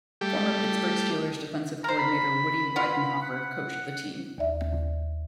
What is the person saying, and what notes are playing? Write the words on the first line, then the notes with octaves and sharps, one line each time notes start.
Former Pittsburgh Steelers defensive coordinator Woody Widenhofer coached the team.
G3 A3 G4
A#4 C5 A#5
B5
B3 F4
F#5
D#2 D5 E5